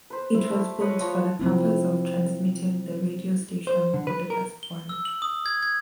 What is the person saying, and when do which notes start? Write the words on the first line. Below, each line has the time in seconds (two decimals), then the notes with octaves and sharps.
It was built for the purpose of transmitting the radio station Budapest One.
0.10 B4 C5
0.34 E4
0.51 A3 E4
0.79 B4 C#5 D#5 B5
1.00 F3 C#5 C#6
1.40 F3 C4 E4
3.67 C5
3.94 D3
4.07 B4
4.30 A#4
4.63 G7
4.89 E6
5.05 F#7
5.22 D#6
5.46 G#6
5.63 G#6